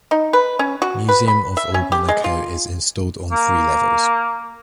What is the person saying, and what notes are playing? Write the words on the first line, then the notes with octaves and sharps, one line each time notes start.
Museum of Old Monaco is installed on three levels.
D#4
B4
C#4
F#4
B4
B5
E5
C#4
G4
G#3
F4
A#3